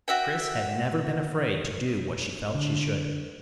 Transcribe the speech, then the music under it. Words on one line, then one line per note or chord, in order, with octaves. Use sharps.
Chris had never been afraid to do what she felt she should.
F#4 E5 G5
D3